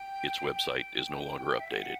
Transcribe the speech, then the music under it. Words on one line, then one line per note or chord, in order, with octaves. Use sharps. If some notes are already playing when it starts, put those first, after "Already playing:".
Its website is no longer updated.
Already playing: G5
G5
E5
F#5